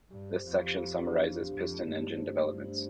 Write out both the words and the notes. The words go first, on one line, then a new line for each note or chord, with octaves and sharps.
This section summarizes piston engine developments.
G2 G4
C5
F2 F5
G4
G4
D4
G4
G4
F2 D4
A3
G2 A3
C5
A3
C5
D4